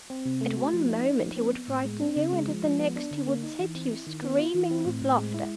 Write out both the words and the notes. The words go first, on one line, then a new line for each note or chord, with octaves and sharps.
At one moment he would frighten you, and at the next he would set you screaming with laughter.
C4
C3
A3
F#4
F3
D#4
D#4
F3
C4
B3
A2
G#3
C4
C#3
G#3
F3
F3
B3
D4
D3
A#3
D#4
E3
C4
E4
D#3
B3
F4
E3
C4
A2
A2
G#3
E4